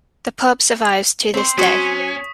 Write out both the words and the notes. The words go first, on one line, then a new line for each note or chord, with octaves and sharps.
The pub survives to this day.
C4 C5
F#3 C#4 F#4 C#6 D#6 B6